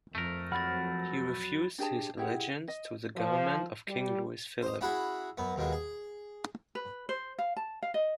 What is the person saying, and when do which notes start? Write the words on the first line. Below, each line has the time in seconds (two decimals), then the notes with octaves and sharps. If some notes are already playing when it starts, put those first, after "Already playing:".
He refused his allegiance to the government of King Louis Philippe.
0.15 F2 A3 A#4
0.52 F#3 F#5 B5 F6 A6
1.78 D4 G4 G#4 A5
2.18 E4 G4 G#4 F#5
2.68 D#5
3.16 F3
3.88 G3
4.63 C5 D#5
4.81 C#4 E4 F#4 G#4 F#5 B5
5.38 F#2 B3
5.56 D#2 B2 G#3
5.72 G#4
6.75 B4
7.09 C5
7.39 F5
7.57 A5
7.82 F5
7.94 D#5